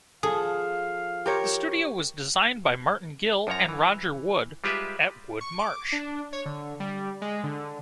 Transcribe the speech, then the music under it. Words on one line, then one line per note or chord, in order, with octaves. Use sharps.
The studio was designed by Martin Gill and Roger Wood at Wood Marsh.
F3 G#4 A4 F5
G4 A#4 C#5
F#2 F3 C#5 A#5
E3
G3 G#3 F4 G4 B4 E5
C#6
D6
D4
C#5
D3
G3
G#3
D3